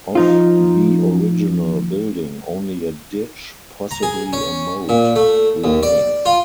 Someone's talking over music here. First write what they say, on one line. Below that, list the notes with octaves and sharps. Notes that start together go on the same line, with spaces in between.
Of the original building only a ditch, possibly a moat, remains.
F3 D#4 F4
A#5
G#4
C#4
A#2
A3
D#2
D5
F4